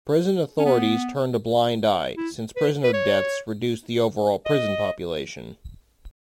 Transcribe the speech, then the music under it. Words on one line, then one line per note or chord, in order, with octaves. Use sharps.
Prison authorities turned a blind eye, since prisoner deaths reduced the overall prison population.
C#4
B3
E4
B4
B4
C#5
D#5